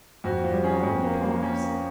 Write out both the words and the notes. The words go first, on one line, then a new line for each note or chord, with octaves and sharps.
A long pause.
F2 F#4
F3
C#4 G#4
F2
A#3
A#3
C#4
A#3